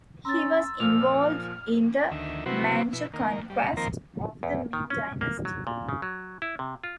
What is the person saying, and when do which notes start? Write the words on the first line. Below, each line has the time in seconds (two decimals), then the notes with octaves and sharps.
He was involved in the Manchu conquest of the Ming dynasty.
0.25 C#4 A#5 C6 E6 A6
0.80 A#2 F3 F6 F7
2.11 D2 D#3 E5
2.46 C3 F#3 B3 C4 E4 F#4
2.93 B2 E4
3.13 D#3 A#3
3.50 G3
3.77 D#3 F3 A#3 C4 A#4
4.43 E2
4.73 D#3
4.90 C#4
5.21 A#3
5.45 F#3
5.67 A#2
5.89 C#3
6.02 F#3
6.42 E4
6.59 C3
6.84 F4